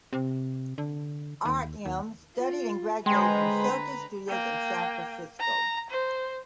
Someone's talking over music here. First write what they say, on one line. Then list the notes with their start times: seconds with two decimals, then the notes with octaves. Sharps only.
Artem studied and graduated from Shelton Studios in San Francisco.
0.13 C3
0.78 D3
1.45 D#2
1.85 D#2
2.36 F4
3.06 D3 G#3 B4 C5 G5 G#5 A#5 C6
4.28 A#3 G5
5.40 A#5
5.90 C5